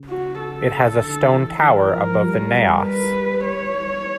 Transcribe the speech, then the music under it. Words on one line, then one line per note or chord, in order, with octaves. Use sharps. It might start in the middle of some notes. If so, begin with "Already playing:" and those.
It has a stone tower above the naos.
Already playing: C#3
F#4
A4
D3
E3
E3 A#4
F3
G3
B4
C#5